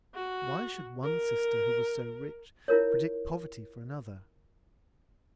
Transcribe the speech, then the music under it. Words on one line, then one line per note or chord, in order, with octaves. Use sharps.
Why should one sister who was so rich predict poverty for another?
F#4
A#4
E4 F4 A#4 C#5